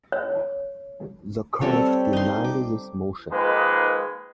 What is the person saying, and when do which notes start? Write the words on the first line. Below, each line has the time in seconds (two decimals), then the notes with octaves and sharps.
The court denied this motion.
0.12 C#5
1.61 G3 C4 A4 C#5
2.13 D#4 C6
2.44 D6
3.32 D#3 F3 G#3 A#3 D#4 B4